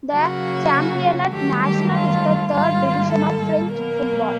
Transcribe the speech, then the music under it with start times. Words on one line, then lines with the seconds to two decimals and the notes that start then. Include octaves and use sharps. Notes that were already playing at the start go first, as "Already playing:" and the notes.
The Championnat National is the third division of French football.
0.12 C#3 F#3 A#3 F#4
1.31 G2 D#3 F#3 A3 G4
1.63 G4
1.92 F4
2.52 G#2 D#3 G3 A#3 F4
3.11 A4
3.71 B2 F#3 A#3 A#4